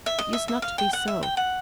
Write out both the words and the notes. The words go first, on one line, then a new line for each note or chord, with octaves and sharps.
It used not to be so.
E5
D#5
E5
E5
F5
G5
F#5
E5
G5
F#5